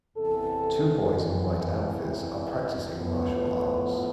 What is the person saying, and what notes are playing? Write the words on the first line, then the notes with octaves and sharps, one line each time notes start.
Two boys in white outfits are practicing martial arts.
E2 C3 E3 A4
A2 F3 B3